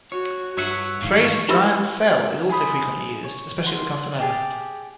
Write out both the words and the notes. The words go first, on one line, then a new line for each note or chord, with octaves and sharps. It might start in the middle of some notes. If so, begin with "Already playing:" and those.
The phrase giant cell is also frequently used, especially with carcinoma.
F#4 C#5
G2 C#5 E5 F#5
G#2 D#3 E3 F5 C#6
E4 G4 B4 E5 B5 E6
G#4 C5 B5 D#6
C#5
F#5 C6
G4 G#4 A5